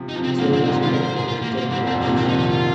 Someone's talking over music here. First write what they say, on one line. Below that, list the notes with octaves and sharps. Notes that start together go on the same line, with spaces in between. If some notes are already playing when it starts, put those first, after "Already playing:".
It's always popular with dog walkers.
Already playing: C3 F3
D#4
C3 F3
C4
G#2 C3 A#3
A#2 D#3 C4
C4
G#2 C3 D#4
G#2 F4
A#4
C5
G#4
F4
A#3
A#3
G#2 C4
F2 A#2 C4
C3 F3 A#3
A#2 D#3 C4
D#4
D#4
F4